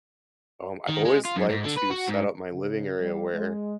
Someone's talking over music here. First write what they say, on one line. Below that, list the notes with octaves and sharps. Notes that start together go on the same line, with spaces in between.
um, I've always liked to set up my living area where,
D#3
G#3
F4
F#2
G#2
D3
B4
F#4
G#2
C#3
G3
G#3